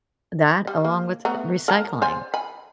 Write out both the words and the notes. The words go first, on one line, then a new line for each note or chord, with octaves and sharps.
that along with recycling.
G3
A#3
A3 B3 A#5
A#4 A5 A#5
C5 D5 G#5
G#5 B5